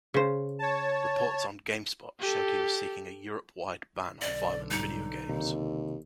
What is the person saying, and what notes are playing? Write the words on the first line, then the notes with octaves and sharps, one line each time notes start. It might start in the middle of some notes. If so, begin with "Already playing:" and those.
Reports on "GameSpot" showed he was seeking a Europe-wide ban on violent videogames.
C#3 C5
C#5 A5
G4 A4
B1 D3 D5
G#2 G3 D#4
D#2 C3 D#3